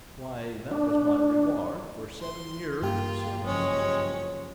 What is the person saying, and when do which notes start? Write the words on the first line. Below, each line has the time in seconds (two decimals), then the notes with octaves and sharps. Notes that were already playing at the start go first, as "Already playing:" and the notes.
"Why, that was my reward for seven years of service."
0.71 D4
2.21 C6
2.82 G2 A#3 F4 G4 G5
3.44 F#1 F3 G#3 C#4 C#5